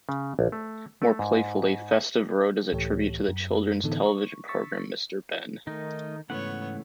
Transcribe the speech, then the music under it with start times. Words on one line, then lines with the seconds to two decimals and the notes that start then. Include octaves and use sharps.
More playfully, "Festive Road" is a tribute to the children's television programme Mr Benn.
0.09 C#3
0.39 A#1
0.52 A3
1.02 A3
1.19 G#2
2.72 C#2 A2 E3 G4 A4 C#5
3.28 F#2
3.83 A2 D3 E3 B3 D#4 A4
4.06 C#6
4.48 C#6 E6 A6 B6
5.67 D#3 A3 D#4 A#4 D#5
6.30 G#2 C#3 E3 A3 B3 C#5 F#5